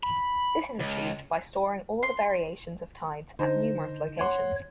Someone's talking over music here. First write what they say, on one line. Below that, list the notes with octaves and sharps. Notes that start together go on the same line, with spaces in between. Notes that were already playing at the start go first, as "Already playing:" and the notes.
This is achieved by storing all the variations of tides at numerous locations.
B5
C#2
C6
D3 D#4 C5
C#5 F#5 C6